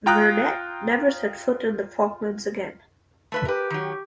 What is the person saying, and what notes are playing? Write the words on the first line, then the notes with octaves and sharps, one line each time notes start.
Vernet never set foot in the Falklands again.
F4 G5 A#5 D#6 F#6
A3 B4 E5
G4 A#4 B4
D#3 F#3